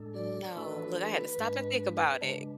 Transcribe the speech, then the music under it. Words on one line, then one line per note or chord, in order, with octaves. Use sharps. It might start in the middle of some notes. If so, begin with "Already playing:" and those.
No, look, I had to stop and think about it
Already playing: A2 G#3 D4 A4
D5
E3 A3 D4 F#4 A4 B4
G#2 G#3 D4
C#3 G#3 D4